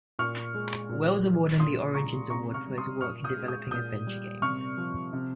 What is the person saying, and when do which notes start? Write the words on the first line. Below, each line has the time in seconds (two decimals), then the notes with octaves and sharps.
Wells award and the Origins award for his work in developing adventure games.
0.19 A#2 C#6 F6
0.54 G#3
0.89 A#2
1.24 F3
1.59 A#2 C6 D#6
1.95 G#3 A#5 C#6
2.30 C3 A#5 C#6
2.54 C#6 F6
2.66 G3
2.77 C6 D#6
3.01 A#2 C#6 F6
3.24 D#6 G6
3.36 G#3
3.48 D#6 G6
3.71 A#2 D#6 G6
4.07 G3
4.42 C3 C#6 F6
4.78 F3
5.13 C3